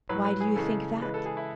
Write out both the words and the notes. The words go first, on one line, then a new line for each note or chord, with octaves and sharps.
"Why do you think that?"
A2 F#3 B4
B4
G#4
C#3 E3 G#3 A4
C#3 E3 G#3 B4
A4
G#4
E4